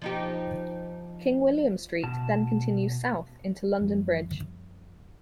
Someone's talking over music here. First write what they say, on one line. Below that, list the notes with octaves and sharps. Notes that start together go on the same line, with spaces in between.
King William Street then continues south into London Bridge.
F3 D#4 G4
B2 A5
F#2 F3 G3 A3